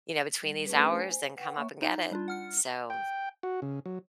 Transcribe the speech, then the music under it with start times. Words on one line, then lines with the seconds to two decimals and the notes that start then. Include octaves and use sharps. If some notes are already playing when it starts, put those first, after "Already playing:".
You know, between these hours and come up and get it. So,
0.42 G3
0.66 A3 C#4 D4 G#4 B4
0.93 C5 G#5
1.35 B4 F#5 G5
1.53 A#3 C#5 E5 C#6
1.82 D#4
2.11 G3 D4 F4
2.28 F#5 F6 C#7
2.90 G5
3.43 F#4
3.62 C#3
3.86 F#3